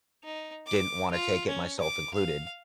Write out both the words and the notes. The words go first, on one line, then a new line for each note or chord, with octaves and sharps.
didn't wanna take it, myself included,
D#4
D6
F4
C#4
D6
F5